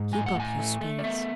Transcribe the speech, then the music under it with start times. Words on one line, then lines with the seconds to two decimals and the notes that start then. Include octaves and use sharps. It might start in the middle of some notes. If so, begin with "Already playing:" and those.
Keep up your spirits.
Already playing: G#2
0.12 A2 G#5
0.26 F#5
0.36 A2 G#5
0.59 A3
0.81 A3
0.99 D5
1.04 B3 E5